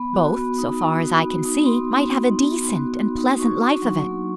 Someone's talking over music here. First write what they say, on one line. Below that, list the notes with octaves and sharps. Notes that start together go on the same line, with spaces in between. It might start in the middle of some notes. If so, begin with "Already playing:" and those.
Both, so far as I can see, might have a decent and pleasant life of it.
Already playing: B3 B5
F#4
B3
D#4
B3
F#4
B3
D#4
B3 C6
F#4
B3
D#4
B3
F#4
B3
D#4
F#4 C#6
D4
F#3
A#3